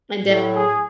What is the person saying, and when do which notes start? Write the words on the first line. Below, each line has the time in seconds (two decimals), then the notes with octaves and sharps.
and def
0.25 A2 F#3
0.53 G#4